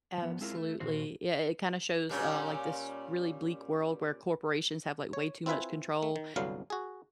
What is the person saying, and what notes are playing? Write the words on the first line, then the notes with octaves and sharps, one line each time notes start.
Absolutely. Yeah, it kind of shows, uh, like this really bleak world where corporations have like way too much control,
F3 B3
G#3 C4 E4 F4 G#4 A#4
A3
A#2 D#3 F#4 C5
A#2 G3 C#4
C#5
C4 E4 F4 B4 E5 G#5
A3
D#3
G1 C2 D3 F#3 B3 F5
F#4 G#4